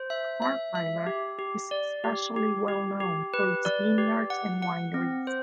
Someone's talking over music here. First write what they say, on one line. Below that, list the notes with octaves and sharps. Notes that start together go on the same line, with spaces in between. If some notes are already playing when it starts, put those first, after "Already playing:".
Ahrweiler is especially well known for its vinyards and wineries.
Already playing: C5
E5
E5
E5
G4
G4
D5
G4
G4
G4
G4
B4
D5
G4
F#5
F#5
C4
C5